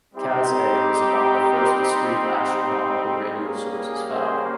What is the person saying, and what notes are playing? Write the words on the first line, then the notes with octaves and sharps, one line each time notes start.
Cas A was among the first discrete astronomical radio sources found.
G3 C4 D#4 G4
G4
G3 A#3 C#4 G4 G#4
G#4 C5